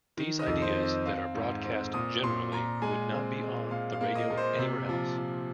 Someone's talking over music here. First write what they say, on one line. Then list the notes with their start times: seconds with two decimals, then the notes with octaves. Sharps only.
These ideas that are broadcast generally would not be on the radio anywhere else.
0.17 D#3
0.39 D#5
0.47 F2
0.62 C5
0.77 C4
0.83 D#5
1.06 C4 F5
1.34 G#2
1.65 C4
1.93 A#2 D#6
2.23 A#2 C6
2.52 A#2 A#5
2.82 G#3 G#5
3.11 C4
3.41 G#3
3.70 A#2 F5
3.93 F5
4.01 A#3
4.15 D#5
4.30 A#2
4.37 C5
4.59 C3
4.89 F3
5.17 F3